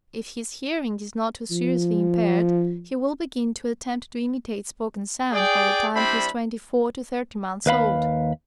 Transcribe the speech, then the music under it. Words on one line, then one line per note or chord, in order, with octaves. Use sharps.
If his hearing is not too seriously impaired, he will begin to attempt to imitate spoken sounds by the time he is twenty-four to thirty months old.
F3
G#4 D5 G5
G3 C4 D4 E4 C5 B5
D#2 B4 F5 B5